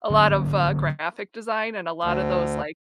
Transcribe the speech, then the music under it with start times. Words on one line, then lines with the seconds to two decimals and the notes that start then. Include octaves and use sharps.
a lot of uh, graphic design and a lot of those, like,
0.10 D3 F#3 A#3 C#4
2.04 D2